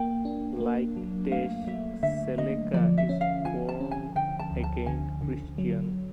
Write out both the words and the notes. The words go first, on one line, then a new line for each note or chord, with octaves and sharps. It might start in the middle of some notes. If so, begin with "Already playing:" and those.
Like Tesh, Sellecca is a born again Christian.
Already playing: A#3 G5
D4
A#3
F#3
A3 F5
F#3 E5
D3 E5
D3 D#5
F3 D5
E5
C#4
F5
F3 G#5
A5
C#4
G#5
D3 G5
A5
D2
A5
D3 G#5
D3
F#3